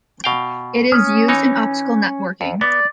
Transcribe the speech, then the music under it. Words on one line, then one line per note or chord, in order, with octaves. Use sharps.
It is used in optical networking.
B2 F5 G5
C#4 D#6 F6
E3 D#4 C#5
F2
B3 D5